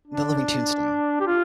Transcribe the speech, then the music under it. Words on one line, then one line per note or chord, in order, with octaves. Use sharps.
The Living Tombstone.
D4
G4
F4